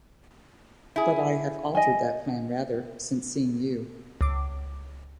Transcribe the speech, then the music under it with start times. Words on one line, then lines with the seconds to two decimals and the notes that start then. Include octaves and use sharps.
But I have altered that plan rather since seeing you.
0.96 E4 G#4
1.75 D#5 G#5
4.21 C#2 D6